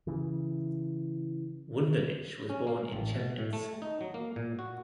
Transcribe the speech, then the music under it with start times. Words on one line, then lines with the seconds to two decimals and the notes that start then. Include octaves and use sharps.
Wunderlich was born in Chemnitz.
0.07 C#3 E3
2.50 C#4
2.67 A#3
2.92 A1
3.14 B2
3.38 A2
3.53 A3
3.82 D#4
4.01 F#3
4.14 A#3
4.36 A#2
4.59 F#4